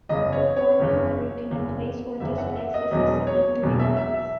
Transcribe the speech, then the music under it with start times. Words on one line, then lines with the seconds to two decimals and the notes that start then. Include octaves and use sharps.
The four-man crew can emplace or displace the system in three minutes.
0.09 F#1 E2 C#3 D#5
0.32 C#5
0.57 C#5
0.80 F#1 E2 C#3
1.50 F#1 E2 C#3
2.20 F#1 E2 C#3 E5
2.38 F#5
2.56 E5
2.74 D#5
2.91 E1 E2 B2 F#3 D#5
3.27 C#5
3.62 E1 E2 B2 F#3
3.80 E5
3.97 E5
4.14 E5